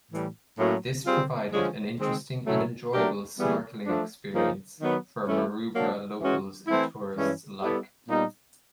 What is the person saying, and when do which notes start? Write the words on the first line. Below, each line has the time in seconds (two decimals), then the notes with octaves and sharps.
This provided an interesting and enjoyable snorkeling experience for Maroubra locals and tourists alike.
0.11 A2 E3 G3
0.58 A2 F#3 A#3 C#4 F#4
1.05 G3 C4 F4 G#4
1.52 D3 F3 G#3 C#4
1.98 D#3 G#3 C4
2.45 A2 F#3 A3 C#4 E4
2.93 F#3 A3 D4 G4 A#4
3.39 E3 G3 B3 E4 G#4
3.86 F3 A3 D4
4.33 C#3 F3 A#3 D#4 G#4
4.80 D#3 F#3 B3
5.27 E3 A3 C#4 E4
5.74 F#3 A#3 D4
6.21 E3 G#3 C#4 F#4
6.67 E3 A3 C4 E4
7.14 G2 E3 G#3 C#4
7.62 G3 B3 E4 A4
8.08 A#2 G3 B3 D#4